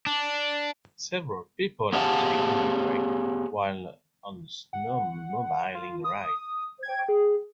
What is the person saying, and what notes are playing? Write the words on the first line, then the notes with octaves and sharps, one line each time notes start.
Several people are taking a break while on a snowmobiling ride.
D4
B3 G4 G#4 F5 F#5 A5
F#5
F4
D#6
G#6
G#4